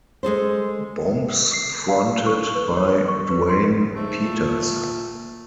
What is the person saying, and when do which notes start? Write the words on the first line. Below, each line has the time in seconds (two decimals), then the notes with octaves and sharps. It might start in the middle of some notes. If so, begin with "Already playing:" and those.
Bombs fronted by Duane Peters.
0.23 G#3 G#4 A4 C5
1.53 C7
1.89 F5
2.27 C#6
2.55 B4
2.77 C#5
3.08 C#6
3.31 B4
3.50 C6
3.96 G#2 A3
4.25 A#2